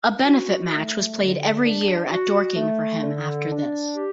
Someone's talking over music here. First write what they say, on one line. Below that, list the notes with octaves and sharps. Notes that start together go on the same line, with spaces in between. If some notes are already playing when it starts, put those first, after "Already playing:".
A benefit match was played every year at Dorking for him after this.
F#4
A3
D3
D4
F#4
A3
D3
D4
G4